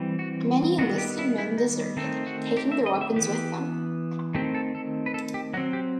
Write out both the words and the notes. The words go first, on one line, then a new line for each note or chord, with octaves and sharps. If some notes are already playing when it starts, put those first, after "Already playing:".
Many enlisted men deserted, taking their weapons with them.
Already playing: E3 G3 C4
F#4
D#3 G3 B3 F#4
G4
E4
E4
D#4
D#3 A3 C4 A4
F#4
G4
E5
D#5
E5
E3 B3 G4
D#3 A3 C4 G4
A4
A4
B4
A4
G4
F#3 C4 F#4
G4